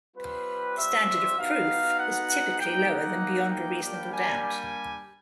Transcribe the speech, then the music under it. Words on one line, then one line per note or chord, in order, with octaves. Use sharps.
The standard of proof is typically lower than beyond a reasonable doubt.
G3 C4 F4 B4
E5
B3 D#4 F#4 F5
F#5
A#3 D#4 G4 G5
F#5
G5
G3 A#3 D4 G4
G#5
G#5